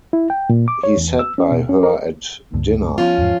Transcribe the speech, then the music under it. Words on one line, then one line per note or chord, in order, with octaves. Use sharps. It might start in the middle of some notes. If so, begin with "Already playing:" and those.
He sat by her at dinner.
E4
G5
A#2
D6
C#5
E2
E6
C#4
B2
C#4
A#4
C#2 G2 D3
F3 B3 C#4 F4
E2 G#2